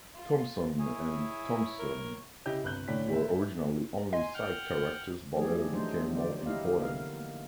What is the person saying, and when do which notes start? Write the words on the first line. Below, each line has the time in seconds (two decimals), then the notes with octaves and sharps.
Thomson and Thompson were originally only side characters but later became more important.
0.15 F4
0.79 E4 G#4 C#5 G#5
1.79 A#4
2.46 C#3 E4 G4 D#5 G6
2.63 G1 C2 B4 F#6 G6
2.88 A2 D3 C#4 D5 B6
3.13 E5
4.13 D#5 G#5 C6
4.34 F#5 G5 F6
5.35 F3 F#3 A3 G4 G#4 D5
5.73 E3 F#3 A3 D4 D#4 C5
6.13 D3 F#3 D5
6.46 D#4 E4 G4 D#5 F5
6.79 D3 A#3 B3 E4 A#4 F5
7.20 A#3